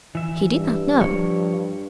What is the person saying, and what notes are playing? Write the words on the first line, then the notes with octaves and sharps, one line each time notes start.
He did not know.
E3 E5
G2
F3 C#5